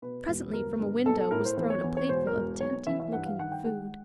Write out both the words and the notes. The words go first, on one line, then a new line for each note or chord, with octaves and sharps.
Presently from a window was thrown a plateful of tempting-looking food.
B2 B4
E1
G1 A#4
G2
B1 A4
A4
A2 A#4
C5
E2 C5
C#5
E2
C#5
E1 C5
A#4
E1
B1 C#5
E3 E5
E5
G2 F#5
F5
D#3 F#5
G5
G#3 F#5